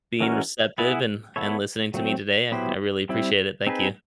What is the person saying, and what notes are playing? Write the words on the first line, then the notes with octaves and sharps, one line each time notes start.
being receptive and and listening to me today. I I really appreciate it, thank you.
E3 G#3 C#4 F#4 A#4
B3 E4 G#4 B4
B3 E4 A4 C#5
F#3 A3 C4
F#3 B3 E4 G4 C5
G3 C4 E4
C4 D#4 G#4 B4